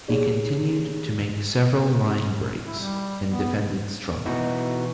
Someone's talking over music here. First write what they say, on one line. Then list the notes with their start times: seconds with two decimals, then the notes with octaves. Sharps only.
He continued to make several linebreaks and defended strong.
0.08 D#4 G4 G#4 C#5 D5
2.66 E4
2.79 G3
3.29 B3
4.25 B2 E3 D#4 F#4